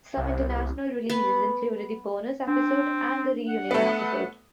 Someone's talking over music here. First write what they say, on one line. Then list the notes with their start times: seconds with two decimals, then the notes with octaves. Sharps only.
Some international releases included the bonus episode and the reunion episode.
0.17 C2
1.10 B3
2.47 C4 D4
3.48 F#5
3.71 A3 B3